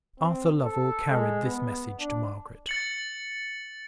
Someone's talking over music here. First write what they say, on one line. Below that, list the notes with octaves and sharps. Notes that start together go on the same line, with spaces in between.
Arthur Lovell carried this message to Margaret.
C4
A4
G#3
B3
D4
A6 C#7 F#7